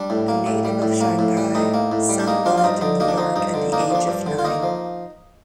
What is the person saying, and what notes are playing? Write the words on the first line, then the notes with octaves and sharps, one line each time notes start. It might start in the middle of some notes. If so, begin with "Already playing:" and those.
A native of Shanghai, Sun arrived in New York at the age of nine.
Already playing: G3 D4
A2
A#3
A2
G3
A2
A#3
A2
G3
A2 D#4
A#3
A2
G3
D4
A#3 D#4
F3 D4 F4
F4
G2 D#4
D3 D#4
A#3 D#4
D4
F3 D#4
G2 D#4
D3
A#3 D#4
D4
F3 D4
G2
D3
F4
A#3 D#4
F3